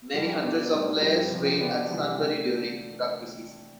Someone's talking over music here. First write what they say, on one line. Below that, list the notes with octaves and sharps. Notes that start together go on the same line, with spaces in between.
Many hundreds of players train at Sunbury during the rugby season.
F2 D3 G3 D4
B2 B3 D4 A4 D5
A2 G3 D4
G2 F3 C4 G4
F2 C3 F3
D3 F3 B3 D4 G4
C3 E3 G3
D3 A3